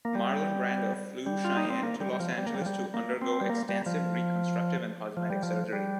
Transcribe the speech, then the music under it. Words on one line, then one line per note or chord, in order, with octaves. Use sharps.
Marlon Brando flew Cheyenne to Los Angeles to undergo extensive reconstructive and cosmetic surgery.
A#3
G3
G3
F4
D#4
C4
A#3
G3
G3
F3
G3
A#3
G3
F3
G3
A#3
C4
G3
A#3
G3
F3
F3
G3
F3
G3